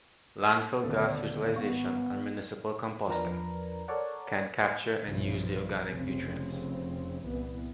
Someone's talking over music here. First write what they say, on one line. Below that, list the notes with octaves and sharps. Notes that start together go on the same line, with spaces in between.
Landfill gas utilization and municipal composting can capture and use the organic nutrients.
D#1 B2 D3 A4
G#1 B3 F5 C#6
E2 F3 D4 A#4 B4 A#5
A4 A#4 C#5 D5 F#5
B1 G2 A#2 C#3 E3 F3
F1 F2 C#3 C4
C2 A#2 E3 B3